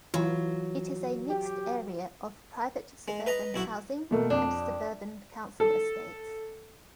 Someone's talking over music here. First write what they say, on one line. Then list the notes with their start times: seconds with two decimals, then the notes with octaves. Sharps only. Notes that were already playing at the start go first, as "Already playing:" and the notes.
It is a mixed area of private suburban housing and suburban council estates.
0.14 E3 F#3 F4
1.30 G4
3.08 G#3
3.27 B4 D#5 A#5
3.54 B1 E4 F#4
4.11 B2 A3 A#3
4.30 F2 D4
5.60 A4